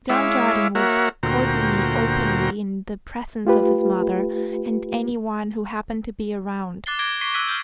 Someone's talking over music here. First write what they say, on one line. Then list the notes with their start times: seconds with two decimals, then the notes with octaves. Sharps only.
John Jardine was courting me openly in the presence of his mother and any one who happened to be around.
0.09 G#3 E4 C#5 E5 F5 D6
0.75 A#3 F#4 A#4 C#5 E5 F#5
1.23 D2 A#2 F#4 C5 G5 A#5
3.45 A3 F4 G4 B4
6.86 D6 F#6 A6 C7 G7
6.99 D6 F#6 G#6 A#6 D7 G7
7.21 C#6 B6 C7 G7
7.34 E6 F#6 G#6 B6 D#7
7.48 F6 G6